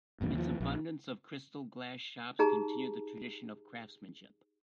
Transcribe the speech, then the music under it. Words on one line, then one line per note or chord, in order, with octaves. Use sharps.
Its abundance of crystal glass shops continue the tradition of craftsmanship.
G#1 E2 G2 A#2
D#2 F3
A#1
D#4 G4 G#4 A5 A#5